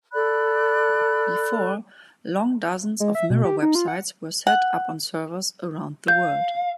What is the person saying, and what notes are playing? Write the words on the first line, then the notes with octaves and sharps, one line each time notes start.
Before long dozens of mirror websites were set up on servers around the world.
A4 D5 B5 F#6
G#3
E5
B2
G4
D#4
F4
F#5
F#5
F5 G6